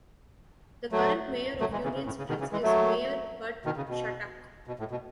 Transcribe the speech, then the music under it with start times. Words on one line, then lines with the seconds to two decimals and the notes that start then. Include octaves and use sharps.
The current mayor of Union Springs is Mayor Bud Shattuck.
0.92 F#3 A3
1.60 F#3 A3
1.72 E3 G#3
1.83 C#3 E3
1.94 C#3
2.06 A2
2.18 C#3
2.29 B2 D#3
2.40 C#3 E3
2.52 E3 G#3
2.63 F#3 A3
3.65 B2 D#3
3.77 C#3
3.89 B2
4.67 B2
4.79 A2
4.91 B2